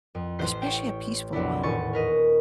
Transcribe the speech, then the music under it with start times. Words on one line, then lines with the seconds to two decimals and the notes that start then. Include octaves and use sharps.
especially a peaceful one
0.15 F2
0.39 A1 C5 F#6 C7
0.62 C#5 G5
1.33 B1 F2 B3 D4 E4
1.63 D#1 E2 A2 G#5 C#6 A6
1.93 A#4 B4 D#5